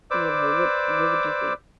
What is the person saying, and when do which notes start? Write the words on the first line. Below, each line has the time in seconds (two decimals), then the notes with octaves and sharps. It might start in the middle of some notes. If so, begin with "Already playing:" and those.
you know, what what would you think?
0.11 B4 C5 D5 D6 E6